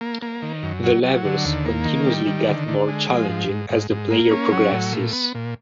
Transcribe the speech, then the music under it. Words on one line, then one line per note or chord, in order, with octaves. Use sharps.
The levels continuously get more challenging as the player progresses.
A#3
A#3
D#3
F#2
F#3
F#3
D3
D#2
A#3
D#3
G3
D#3
D3
D3
G#3
F3
G#2
G#2
G#2
G#2
A#3
C#4
F#3
A2
A#2
B3
A#2